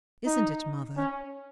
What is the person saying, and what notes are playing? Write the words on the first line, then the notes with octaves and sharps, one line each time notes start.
Isn't it, mother?'
D#4
C#4